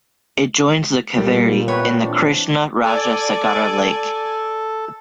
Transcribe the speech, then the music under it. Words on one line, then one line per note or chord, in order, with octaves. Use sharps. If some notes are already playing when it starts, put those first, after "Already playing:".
It joins the Kaveri in the Krishna Raja Sagara lake.
A#2 G3 A#3
A2 B3 B4 C#5 G5
E3 C4 D4
A4 D5 G#5